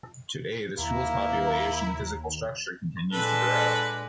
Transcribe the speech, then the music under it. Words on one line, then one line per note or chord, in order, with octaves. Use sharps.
Today, the school's population and physical structure continues to grow.
D#2 A#3 E4 A#5
A#2 D3 G#3 A4 B4